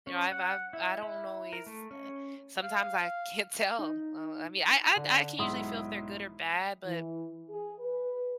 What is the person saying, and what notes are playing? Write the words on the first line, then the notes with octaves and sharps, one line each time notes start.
you know, I've I've I don't always eh, sometimes I can't tell, uh, I mean, I I I can usually feel if they're good or bad, but
C#4
F#5
E4
E4
A#4
A3
C#4
F5
D#4
D3
B1 G#2 E4 C6 D#6
E3
G#4
B4